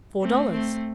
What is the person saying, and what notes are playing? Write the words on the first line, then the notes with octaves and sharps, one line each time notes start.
"Four dollars."
A3 C4
A3 C4